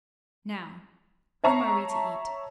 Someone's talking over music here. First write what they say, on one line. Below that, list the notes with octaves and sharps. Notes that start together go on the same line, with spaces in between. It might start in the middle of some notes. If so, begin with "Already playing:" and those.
"Now, whom are we to eat?"
C#5 E5 A5 A#5 C#6 C7